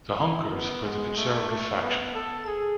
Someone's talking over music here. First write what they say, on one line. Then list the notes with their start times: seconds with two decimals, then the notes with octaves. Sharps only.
The Hunkers were the conservative faction.
0.19 E4
0.51 B3
0.84 G#3
1.17 A3
1.50 A3
1.82 B3
2.15 A4
2.47 G#4